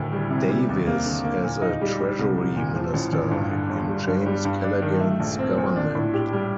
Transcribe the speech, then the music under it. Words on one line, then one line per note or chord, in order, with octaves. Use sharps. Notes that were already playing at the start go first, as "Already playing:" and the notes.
Davies as a Treasury Minister in James Callaghan's Government.
Already playing: D2 A2 D#3
G3
C3
G3
D#2
A#3
D3
A#3
A#2
D#4
G3
G3
C2
C2
A#2
F3
A1
A1
G2
D3
G1
G3
G2
G3
G2
D4
D#3
A3
A#1
C4
A#2
D4
A2
G4
G3